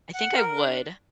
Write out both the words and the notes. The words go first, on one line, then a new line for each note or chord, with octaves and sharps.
I think I would,
F#5
A#4
D4